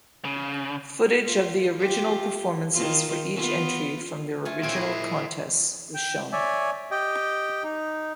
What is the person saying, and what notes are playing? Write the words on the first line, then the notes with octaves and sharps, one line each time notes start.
Footage of the original performances for each entry from their original Contests was shown.
C#3
F4
F4 G4
D#3 F4
B3 F4
A3 F4 G#5
A#2 C4 C#5 G#5
E4 C5 D#5
G5
C#5 D5 E5 G#5
G4 D#5 G5
D#4